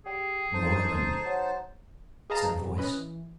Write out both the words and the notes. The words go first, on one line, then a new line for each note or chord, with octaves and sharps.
"Moribund," said a voice.
G4 G#4
D#4 A4 C5 A5
F#3
G#4 B4 D#5 F5 A5 A#5
C3
C#4 B4 D#5
E3